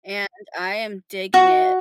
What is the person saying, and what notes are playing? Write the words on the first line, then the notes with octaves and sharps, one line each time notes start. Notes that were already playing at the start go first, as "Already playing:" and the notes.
and I am digging it;
F#4